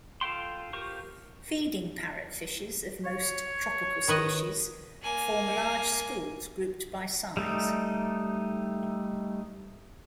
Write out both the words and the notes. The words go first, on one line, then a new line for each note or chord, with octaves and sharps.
Feeding parrotfishes of most tropical species form large schools grouped by size.
F4 A4 F5 G5 C6
F4 G4 A#4 C5 C#6
C#5
D#3 B4 D#5
A#3 G#5
G3 A3 D#4